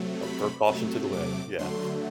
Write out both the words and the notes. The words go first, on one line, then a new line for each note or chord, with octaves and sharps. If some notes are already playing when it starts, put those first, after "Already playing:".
Like, throw caution to the wind, yeah.
Already playing: C3 F#3 A3
B5
C3 F#3 A3
D6
D3 F#3 A3 C6